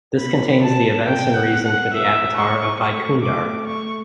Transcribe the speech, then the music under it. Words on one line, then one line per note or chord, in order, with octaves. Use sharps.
This contains the events and reason for the Avatar of Vaikundar.
B3 B5
A5
G5
F#5
F#5
E5
C#6
A3 C#6
D6
C#6